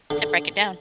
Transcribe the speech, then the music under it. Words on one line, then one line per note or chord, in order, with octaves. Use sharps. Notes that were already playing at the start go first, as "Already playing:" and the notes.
To break it down.
D3